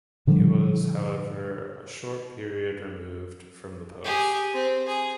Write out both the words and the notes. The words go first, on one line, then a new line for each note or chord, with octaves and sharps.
He was, however, after a short period removed from the post.
A#2 D3 F3 G3
G4 G#4
C4
G#4